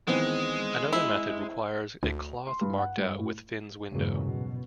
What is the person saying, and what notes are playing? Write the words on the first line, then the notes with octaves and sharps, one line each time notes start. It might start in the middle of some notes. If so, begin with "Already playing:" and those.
Another method requires a cloth marked out with Finn's Window.
D#3 E3 G#3 B3 C4
E4
D2
C6
G2
F#5
G2
A2
E2 G2 A#2 C#3 F#3 G#3
B2